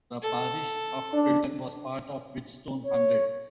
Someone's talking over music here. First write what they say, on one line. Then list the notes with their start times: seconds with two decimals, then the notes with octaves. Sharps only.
The parish of Pilton was part of the Whitstone Hundred.
0.22 A4
1.13 D4
2.83 C#5